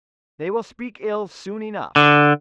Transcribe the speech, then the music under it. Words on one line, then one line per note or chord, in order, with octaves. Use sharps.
They will speak ill soon enough.
D3